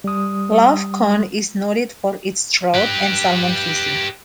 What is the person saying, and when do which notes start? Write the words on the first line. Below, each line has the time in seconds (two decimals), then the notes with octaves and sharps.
Lough Conn is noted for its trout and salmon fishing.
0.04 G3 D#6
2.75 G4 B4